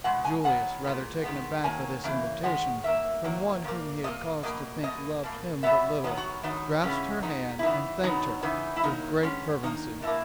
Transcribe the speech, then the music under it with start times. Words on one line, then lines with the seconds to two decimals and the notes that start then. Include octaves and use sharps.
Julius, rather taken aback by this invitation from one whom he had cause to think loved him but little, grasped her hand and thanked her with great fervency.
0.04 B2 G#3 F#5
0.25 G#5
0.44 D#3 F#3 B3 F#5
0.84 A#2 G#3 B3
1.24 D#3 G#3 B3
1.63 D#3 F#3 A#3 G#5
2.04 C#3 E3 A#3
2.43 D#3 G#3 B3 F#5
2.83 D#3 A#3 E5
3.24 D#3 F#3 A#3
3.64 A#2 A#3
4.04 A#2 A#3 D#5
4.43 B2 A#3 D#5
4.83 B2 A#3 D#5
5.23 B2 A#3
5.63 B2 F#3 B3 E5
6.04 D#3 F#3 B3 D#5
6.17 F#4
6.43 D#3 F#3 B3 D#4
6.83 C#3 E3 G#3 B3 C#4
7.23 A#2 G#3 B3 D#4
7.59 E4
7.63 C#3 E3 B3 D#4
8.03 D#3 F#3 B3 D#4
8.43 C#3 E3 B3 D#4
8.76 E4
8.83 D#3 F#3 A#3 D#4
9.23 D#3 G#3 B3 C#4
9.63 D#3 A#3 D#4
10.02 B2 A#3 E4